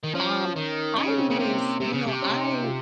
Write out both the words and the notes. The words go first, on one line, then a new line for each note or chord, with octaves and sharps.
Um, I use, you know, I
D#3
F3 C#4
D#3
C#3 D#4
C#4
C4
C#3 A#3
C3
C3
C#3
C3
C#4
D#4
C#4
F4